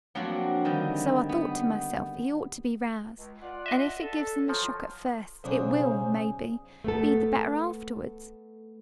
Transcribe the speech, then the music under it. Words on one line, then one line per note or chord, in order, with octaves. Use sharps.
So I thought to myself, he ought to be roused; and if it gives him a shock at first, it will, maybe, be the better afterwards.
F3 F#3 A#3 C4 D4 F#4
D3 D#3 G3 D#5
B3
C#2
F4 D5 F#5
D#5 E5
A4
F3 F#3
B1 C#3 D4 C5 C#5 G#5 D#6
A3 B3 A4